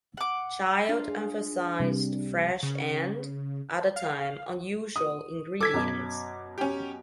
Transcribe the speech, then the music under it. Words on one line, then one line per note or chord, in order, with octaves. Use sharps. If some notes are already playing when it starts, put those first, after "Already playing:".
Child emphasized fresh and, at the time, unusual ingredients.
F#5 D6
D4 F4
G#4
C3 G3
C#3
F5
D#6
A4 D6 G#6 B6
F#2 B2
C#4 G4